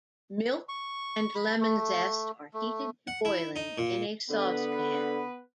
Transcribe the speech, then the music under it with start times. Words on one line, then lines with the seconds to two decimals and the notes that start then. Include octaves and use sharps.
Milk and lemon zest are heated to boiling in a saucepan.
0.69 C#6
1.35 B5
1.60 A3
2.54 A3
3.07 F#5
3.25 E4
3.56 D#4
3.78 A#2
4.30 D3 B3 B4